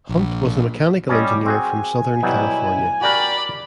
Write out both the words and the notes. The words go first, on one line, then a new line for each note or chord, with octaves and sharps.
Hunt was a mechanical engineer from Southern California.
A#1
G3 C#4 D5 D#5
C4 F#4 G#4 G#5
B2 F#3 G3 E4
F#4 G4 A#4 D5 B5